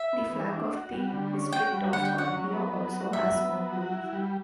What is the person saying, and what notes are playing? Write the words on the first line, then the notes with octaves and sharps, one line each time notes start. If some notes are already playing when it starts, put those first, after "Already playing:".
The flag of the District of Columbia also has no blue.
Already playing: E5
B3
E3
D4
F#4
G3
D3
C#4
F#4 G5
G3
D3 F#5
G5
C#4
F#5
F#3
B3
F#3
F#4
F#3 E5
B3
F#3
F#4
E4
G3